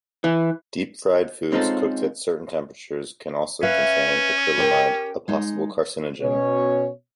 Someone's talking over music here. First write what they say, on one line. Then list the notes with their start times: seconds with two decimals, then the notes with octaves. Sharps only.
Deep-fried foods cooked at certain temperatures can also contain acrylamide, a possible carcinogen.
0.24 E3
1.52 G#3 C4 C#4 D#4 F4 A4
3.63 C#4 B4 E5 F5
4.58 G4 A#4 G5
5.28 G#3 D#4
6.20 B2 C#4 C#5